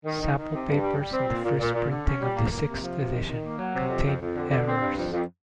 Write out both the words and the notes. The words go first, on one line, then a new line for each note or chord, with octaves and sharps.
Sample papers in the first printing of the sixth edition contained errors.
D#3
D#3
D#3
C3
G2
G3
G3
C4
A#2
A#2
A#2
A#2
D3
C#4
G3
A#3
A#3
C3
F3
C3
D#3
D#3
A#3
F#3
C3
F2
F2
F2
D3
D3
C4
G2
F2
F2